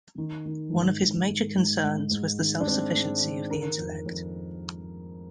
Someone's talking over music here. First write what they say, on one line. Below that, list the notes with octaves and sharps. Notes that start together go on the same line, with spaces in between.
One of his major concerns was the self-sufficiency of the intellect.
D#3
D#3
G#2
G#2
G#2
G#2
G#2
G#2
D#3
D4
G#2 C4
G#2
D#3
D#3 A#4
F2
F2